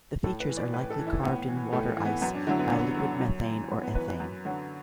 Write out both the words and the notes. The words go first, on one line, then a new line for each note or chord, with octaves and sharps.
The features are likely carved in water ice by liquid methane or ethane.
A2 A4
B4
E3
D5
A2 B4
A4
E3
E4
A2 B3
E3
A2 A3
A3
E3
B3
F#2 B3
D4
D3 F#3 E4
B3
F#2 D4
B3
D3 F#3
F#2
E3
F#2 B3
B3
E3 B4
B4
F#2
D3 F#3